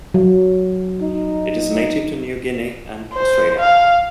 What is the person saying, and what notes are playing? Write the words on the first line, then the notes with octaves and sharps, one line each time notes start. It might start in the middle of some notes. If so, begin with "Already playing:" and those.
It is native to New Guinea and Australia.
F#3
D#4
C5
F5